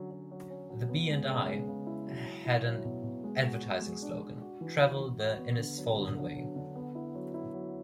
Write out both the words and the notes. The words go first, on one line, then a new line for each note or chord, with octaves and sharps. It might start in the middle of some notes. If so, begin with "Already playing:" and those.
The B and I had an advertising slogan: "Travel the Innisfallen Way".
Already playing: D3 F#3 C#4
F#3
F#3
C#4
F#3
B3
G#3
C#3
G#3
C#3
E4
F#3
C#4
E4
F#3
B2
B2
G#3
F#4
F#4
G#3
D4
D4
F#4
E3
F#4
E3
F#4
B3
D3
F#3
D3
D3
F#3
D3
B3
E4
F#3
E4
F#3